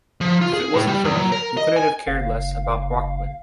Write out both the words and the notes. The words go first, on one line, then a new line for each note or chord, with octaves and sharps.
If it wasn't for me - you couldn't have cared less about Rachman.
F3
F4
G#4
A2
G3
E2
F#3
A#4
D#5
G#5
F#1 F5